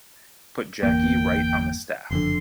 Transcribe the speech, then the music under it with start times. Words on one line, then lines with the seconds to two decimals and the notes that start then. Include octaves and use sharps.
Put Jackie right on the staff.
0.83 G1 E2 A#3 G5
2.11 F#1 F2 D3 C6